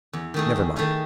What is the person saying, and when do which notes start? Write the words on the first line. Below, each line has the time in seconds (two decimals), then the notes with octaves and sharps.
Never mind.
0.13 E2
0.34 D#3 A3 D#4 G#4
0.56 E2
0.76 D#3 A3 D#4 G#4